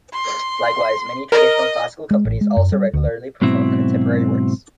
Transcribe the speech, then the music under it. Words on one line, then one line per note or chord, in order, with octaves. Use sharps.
Likewise, many traditionally "classical" companies also regularly perform contemporary works.
C6
A#4 D#5
G#3
A1
G#3
F#2
G3
D2
G#2 B2 F#3 C4 E4